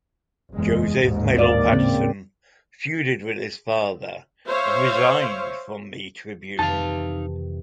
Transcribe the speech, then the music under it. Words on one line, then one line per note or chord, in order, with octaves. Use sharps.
Joseph Medill Patterson feuded with his father and resigned from the Tribune.
F#1 E2 G#3
A1 D#2 G#2
A#3 D5
C#3 C4
C5 C#5 E5 F5
F2 C3 D#3 E3 D#4 F5 A5